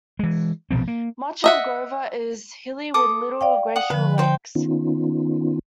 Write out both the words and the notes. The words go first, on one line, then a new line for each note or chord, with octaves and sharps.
Much of Grover is hilly with little glacial lakes.
E3 G#3
A#1 B2 F3 C4
A#3
D#5 E5 F#5
A4 D6 D#6
D5 F5 G5
F#5 D#6
D3 F3 B4
D#4 C5 G5
D#3 B3 C#4 D#4 F4